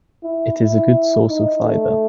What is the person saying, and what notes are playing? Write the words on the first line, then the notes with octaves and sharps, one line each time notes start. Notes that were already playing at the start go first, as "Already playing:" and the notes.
It is a good source of fiber.
E4
E4
D#4
A3